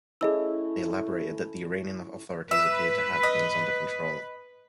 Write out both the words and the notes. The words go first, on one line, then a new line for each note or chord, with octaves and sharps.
They elaborated that the Iranian authorities "appeared to have things under control".
A3 C#4 E4 G#4 D#5 E6
B4 E5
D#5